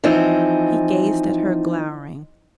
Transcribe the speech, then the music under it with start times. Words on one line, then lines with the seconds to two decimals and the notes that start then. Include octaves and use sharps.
He gazed at her, glowering.
0.04 E3 F3 C4 D#4